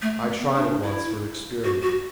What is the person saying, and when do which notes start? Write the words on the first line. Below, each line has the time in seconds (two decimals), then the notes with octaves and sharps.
I tried it once for an experiment.
0.02 A3
0.20 A3
0.39 B3
0.56 D4
0.84 E4
1.64 F#4
1.82 F#4